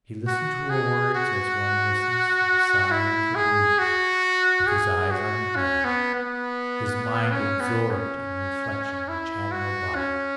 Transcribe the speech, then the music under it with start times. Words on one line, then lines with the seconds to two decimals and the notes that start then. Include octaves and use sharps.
He listened to her words as one listens to the sighing of the breeze, with his eyes on the ground, his mind absorbed in reflection which had no bottom.
0.27 F#4
0.70 G#4
1.15 F#4
2.91 E4
3.35 G#4
3.79 F#4
4.67 G#4
5.11 F#4
5.56 C#4
5.85 B3
6.15 B3
7.32 C#4
7.61 B3
7.91 C#4
9.08 E4
9.52 F#4
9.95 C#4